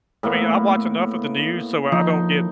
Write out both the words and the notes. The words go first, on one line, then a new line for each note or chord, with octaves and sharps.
I mean, I watch enough of the news so I don't get
A2 A#3 B3
F3 D#4